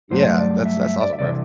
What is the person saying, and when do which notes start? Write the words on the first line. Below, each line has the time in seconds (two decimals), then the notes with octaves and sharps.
Yeah, that's that's awesome, bro.
0.10 G2 F#3 A3 C5
0.38 D5
0.65 E5
0.83 E5
1.01 D5
1.13 E5
1.19 C2 C3 E3 D5